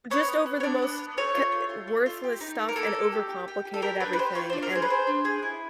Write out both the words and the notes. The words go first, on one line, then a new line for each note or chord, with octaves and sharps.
just over the most co worthless stuff and overcomplicated everything and
B3 C#5
B3
B3
C#5
D4 D5
B3
B3
A3 C#5
F4
A3
F4
A3
F4
G4
D#4
A#3
A#4
A#3 A4
A#3
G4
G4
G4
G4
A4
G4 A#4
D4 B4
B4
G4 C5
F4 C#5
C5
D4
A#4
G#4 C5
B4
G#4 C5
D4
G#4
E4